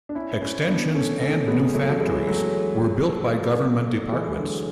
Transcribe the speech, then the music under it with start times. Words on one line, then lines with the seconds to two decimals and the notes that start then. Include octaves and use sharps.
Extensions and new factories were built by government departments.
0.09 D4
0.15 C#4 E4
0.42 C#4 E4
0.68 B3 D4
0.94 A3 C#4
1.21 A3 C#4
1.47 G#3 B3
1.74 F#3 A3
1.90 F#3
2.00 E3 G#3
2.27 F#3 A3
4.12 E3 G#3
4.31 G#3
4.39 D3 F#3